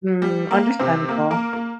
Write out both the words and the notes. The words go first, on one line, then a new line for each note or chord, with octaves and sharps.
Hmm, understandable.
G3
A#3
C3 C4
A#3
A#3 A#4
A#3